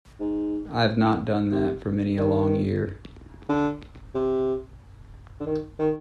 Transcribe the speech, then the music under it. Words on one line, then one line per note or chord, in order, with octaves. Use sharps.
I have not done that for many a long year!
G#2
C3
D#3
D3
C3
D3
D#3
D#3